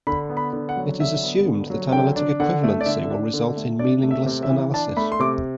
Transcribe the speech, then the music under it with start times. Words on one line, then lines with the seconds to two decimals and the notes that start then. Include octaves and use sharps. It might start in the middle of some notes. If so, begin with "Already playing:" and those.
It is assumed that analytic equivalency will result in meaningless analysis.
0.07 D3 B5
0.29 B3
0.37 B5
0.53 D3
0.69 F#5
0.77 F#3
1.00 D3 E5
1.23 B3
1.46 D3
1.70 F#3
1.92 D3 G5
2.16 D4
2.40 D3 F#5
2.63 A3
2.81 D5
2.86 D3 E5
3.10 D4
3.34 D3
3.57 A3
3.79 D4 D5
4.03 A3
4.11 E5
4.26 C3
4.43 E5
4.49 E3
4.74 D4 A5
4.97 A3 B5
5.12 C6
5.20 C3 D6